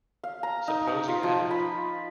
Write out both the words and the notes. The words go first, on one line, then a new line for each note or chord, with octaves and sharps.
Suppose you haven't?
F5
A#5
D#4
A#5
F4
F3
B5